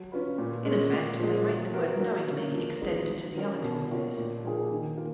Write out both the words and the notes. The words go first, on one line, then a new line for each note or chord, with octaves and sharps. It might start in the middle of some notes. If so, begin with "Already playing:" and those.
In effect, they made the word "knowingly" extend to the other clauses.
Already playing: F#3
C#4 F4 B4
A#2
G#3 C#4
A#2
F3 G#3
F#3
B3 F#4 A#4
F#3
A#3 C#4
F3
G#3 B3 D#4
F#3
C#4 F#4 A#4 C#5
B2
A#3 F4 A#4 C#5
A#2
F3 A#3 D#4 G#4
D#3
A#3 F4